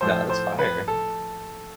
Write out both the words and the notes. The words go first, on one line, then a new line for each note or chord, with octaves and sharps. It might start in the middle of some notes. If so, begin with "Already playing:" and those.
No, that's fire.
A2 F3 A3 C5
C5
B4
A4